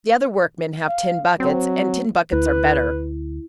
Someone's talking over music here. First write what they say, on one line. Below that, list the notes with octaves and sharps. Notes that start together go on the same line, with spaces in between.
The other workmen have tin buckets, and tin buckets are better.
F5
F#3 C4
D2 E4 B4